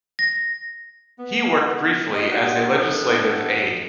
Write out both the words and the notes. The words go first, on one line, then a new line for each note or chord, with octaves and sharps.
He worked briefly as a legislative aide.
A#6
B3
D#5
G#3 D4 D#4 F#4 G4
D#3 G3 B3 D4 A4